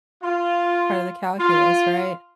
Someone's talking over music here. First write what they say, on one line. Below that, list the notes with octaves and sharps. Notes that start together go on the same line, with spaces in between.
part of the calculus, right.
F4
F4